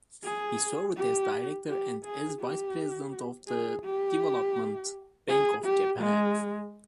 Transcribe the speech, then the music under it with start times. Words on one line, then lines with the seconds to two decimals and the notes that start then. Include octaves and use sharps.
He served as Director and as Vice President of the Development Bank of Japan.
0.24 G#4
0.96 G4
1.68 G4
2.05 G#4
2.41 G4
3.48 G#4
3.85 G4
5.29 G#4
5.65 G4
6.01 G#3